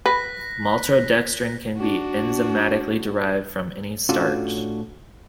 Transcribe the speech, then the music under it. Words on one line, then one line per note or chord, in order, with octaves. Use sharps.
Maltodextrin can be enzymatically derived from any starch.
B4 F#6 A#6 B6
D4 F#4
A2 C#4 D4 F4 F#4